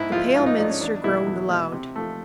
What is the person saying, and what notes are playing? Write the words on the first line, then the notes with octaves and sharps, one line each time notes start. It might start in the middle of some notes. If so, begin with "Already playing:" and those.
The pale minister groaned aloud.
Already playing: G#2 E4
F3 G#3 F4
G#2 F4
D#4
F3 G#3 D4
C#4
E2 D4
B2 G#3 E4
E2
B2 G#3
C3
F3 A3